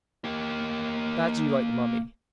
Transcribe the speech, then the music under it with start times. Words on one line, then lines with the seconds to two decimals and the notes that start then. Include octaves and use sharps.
Glad you like the mummy.
0.24 A#3 G4